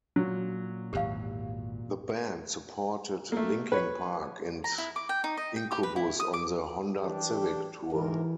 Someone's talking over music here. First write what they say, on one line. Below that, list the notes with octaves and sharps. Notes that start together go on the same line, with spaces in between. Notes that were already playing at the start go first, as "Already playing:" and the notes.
The band supported Linkin Park and Incubus on the Honda Civic Tour.
A#2 F#3
G#1 E2 G4 F5
A3 A#3
B4 C#5
A#5
E4
D6
G5
D#4
D#5
G5
G4
B4
E4
D#6
D6
E3 D4 G4
G#2 C3 E3 A#4